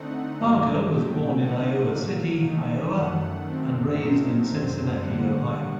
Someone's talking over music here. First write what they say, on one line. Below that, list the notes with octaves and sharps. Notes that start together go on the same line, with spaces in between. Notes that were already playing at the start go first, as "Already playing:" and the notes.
Parker was born in Iowa City, Iowa and raised in Cincinnati, Ohio.
Already playing: D3 A3 C4 D#4 F#5
G2 D#3 F#3 A3 D#5
A#2 F#3 A3 G5
D3 A3 D#4 F#5
A2 F#3 A#3
D#3 A3 D#4
F#2 D#3 A3 F#5
F#2 D#3 A3 C4
A#2 F#3 A3 C4 D#4 A#4
F#2 D3 F#3 C4 C5
D3 G3 A#3 F#5